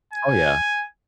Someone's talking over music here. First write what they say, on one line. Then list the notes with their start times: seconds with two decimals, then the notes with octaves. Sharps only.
Oh yeah.
0.13 G#5